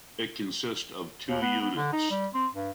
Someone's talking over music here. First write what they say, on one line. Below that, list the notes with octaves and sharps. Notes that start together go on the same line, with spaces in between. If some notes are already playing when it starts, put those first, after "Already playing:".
It consist of two units.
D#2
B3
B3
D3
D#4
G3
C4
G2